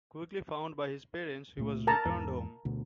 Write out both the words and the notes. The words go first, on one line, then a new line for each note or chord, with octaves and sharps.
Quickly found by his parents he was returned home.
C#2 A#2 A3
A#4 A5 A#5
E2 G#2
D2 B2